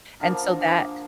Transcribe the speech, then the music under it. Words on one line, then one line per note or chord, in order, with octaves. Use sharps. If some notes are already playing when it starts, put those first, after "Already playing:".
and so that
D3 F3 A#3 A#4
G#4